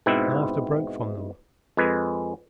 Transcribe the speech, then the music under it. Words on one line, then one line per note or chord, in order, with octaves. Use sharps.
Laughter broke from them.
G#2 B2 C4 E4
F2 G#3 B4 G#5